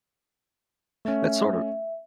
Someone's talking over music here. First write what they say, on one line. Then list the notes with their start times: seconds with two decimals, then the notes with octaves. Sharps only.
that's sort of
1.05 A3 C#4 E5